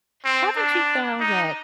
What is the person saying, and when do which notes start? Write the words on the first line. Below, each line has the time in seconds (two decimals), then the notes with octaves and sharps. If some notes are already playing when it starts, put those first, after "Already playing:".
haven't you found that,
0.25 C4
0.56 D4
1.19 D#4